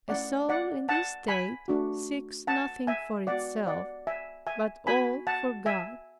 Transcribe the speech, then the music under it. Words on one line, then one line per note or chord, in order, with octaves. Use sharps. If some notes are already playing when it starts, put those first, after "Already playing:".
A soul in this state seeks nothing for itself, but all for God.
A3 C#4 E4 D5 F#5
D5 F#5
F#5 A5
G#5 B5
A3 D4 F#4
F#5 A5
E5 G#5
G#3 B3 F#4 D5 F#5
D5 F#5
E5 G#5
E5 G#5
B3 F#4 G#5 B5
F#5 A5
E5 G#5